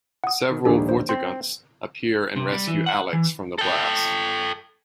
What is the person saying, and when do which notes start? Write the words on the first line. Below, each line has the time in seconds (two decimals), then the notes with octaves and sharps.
Several Vortigaunts appear and rescue Alyx from the blast.
0.24 F#5 D#6
0.51 D#3
0.65 A#1 D#2 D4 G4 A4
0.89 C5
1.09 C4 C6
2.36 C3
2.52 G3
2.67 E3
2.86 F#5
3.13 E3
3.59 A4 G5